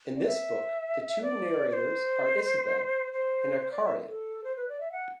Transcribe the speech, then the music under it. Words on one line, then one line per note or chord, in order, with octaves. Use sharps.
In this book, the two narrators are Isabel and Arkarian.
D5
E5
D5
D5
C5
C5
C5
D5
E5
A4
C5
B4
D5
E5
F#5